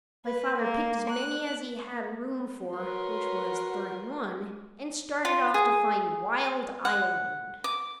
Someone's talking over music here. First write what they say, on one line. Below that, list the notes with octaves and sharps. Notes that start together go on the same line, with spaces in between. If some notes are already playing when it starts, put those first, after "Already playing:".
My father picked as many as he had room for, which was thirty-one, and started off to find Wild Island.
B4
A#3
F#6
F#4 A#4 B4 C#5 C6
F4
G#4
F#5
D6